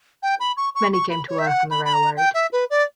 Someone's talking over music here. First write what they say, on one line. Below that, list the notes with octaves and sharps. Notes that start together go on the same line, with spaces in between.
Many came to work on the railroad.
G5
B5
C#6
C#6
C#6
B5
C#5
E5
F#5
B5
B5
A#5
G5
E5
B4
D5